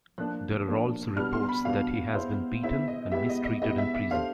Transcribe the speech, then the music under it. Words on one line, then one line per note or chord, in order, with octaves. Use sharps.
There are also reports that he has been beaten and mistreated in prison.
F3 A#3 D4 F#6
F3 A#3 D4
B2 G3 B3 D4 F6
C6
B5
B2 G3 B3 D4 F5
B3 E4 G#4 C5
B3 E4 G#4 C5 E5
D#5
G#3 B3 E4 G4 E5
D#5
D#5
G#3 B3 E4 G4 D#5
E5
E5
A3 D4 G4 C5 F5